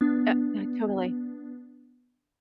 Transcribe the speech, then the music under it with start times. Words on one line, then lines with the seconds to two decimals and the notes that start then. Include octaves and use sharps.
Uh, yeah, totally.
0.01 B3 D4